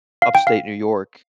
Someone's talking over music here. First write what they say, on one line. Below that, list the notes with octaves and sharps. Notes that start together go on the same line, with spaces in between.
Upstate New York,
F5
G5
F5